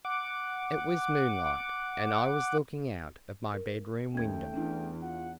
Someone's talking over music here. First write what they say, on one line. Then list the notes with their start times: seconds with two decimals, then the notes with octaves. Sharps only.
It was moonlight and I was looking out of my bedroom window.
0.05 F#5 D6
3.54 A#4
4.15 D#2 A3 C#4 G5 G#6
4.54 E2 C#4 D4 E4
5.02 F4 F#5